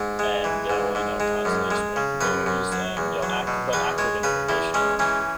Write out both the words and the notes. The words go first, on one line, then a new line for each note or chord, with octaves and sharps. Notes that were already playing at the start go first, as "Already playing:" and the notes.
and they'll, you know, constantly spread the news, and you know, ac but accurate information.
Already playing: G#2
G#3
E3
G#2
G#2
G#3
F#2
G#3
C#3
F#2 B4
F#2
F#3
E2
F#3
B2
E2 B4
G#3 C#5
C#3 B4
E2 E4
G#3 C#4
E3 C#4